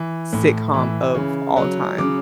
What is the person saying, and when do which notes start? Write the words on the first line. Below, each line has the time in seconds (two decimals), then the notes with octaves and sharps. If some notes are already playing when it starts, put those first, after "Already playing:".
sitcom of all time.
Already playing: E3
0.33 A2
0.74 E3
1.15 C#3
1.57 F#3
1.98 C#3 D6